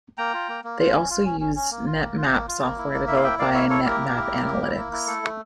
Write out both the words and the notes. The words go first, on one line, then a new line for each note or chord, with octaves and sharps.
They also used "NetMap" software developed by NetMap Analytics.
A#3 G5 A#5
F4
A#3
A#3
F4
C#4
F4
C#4
C#4
C#4
A#3
F4
A#3
F4
A#3
F4
A#3
E4
A#3
E4 E5
F5
A#3 E5 G5
A#3 D5 F5
E4 C#5 E5
E4 A4 C#5
A#3 G4 A#4
A#3
E4
A#3
A#3
E4
A#3
E4
A3 A4
A3